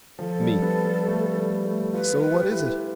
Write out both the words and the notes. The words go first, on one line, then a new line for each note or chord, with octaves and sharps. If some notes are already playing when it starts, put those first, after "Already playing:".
ME: So what is it?
F3 A4
G3
B3
G3
A3
A3
G3
A3
F4 B4
F4
G4
A4
E4
F4